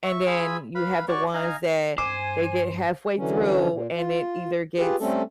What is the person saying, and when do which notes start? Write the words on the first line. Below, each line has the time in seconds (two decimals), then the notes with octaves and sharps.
and then, you have the ones that they get halfway through and it either gets
0.04 E5 C#6
0.27 F4 G#4 G#5 B5 E6
0.75 B4 F5 B5
1.08 F#4 C#5 D5 C#6
1.34 D#4 F5 G#5 A#5
1.98 G2 C5 G#5 D6
3.17 D3 E3 F#3 C#4
3.71 A#2
3.96 F4
4.78 F4 G4 G#4 B4
5.00 G3 A3 C4 C#4 A4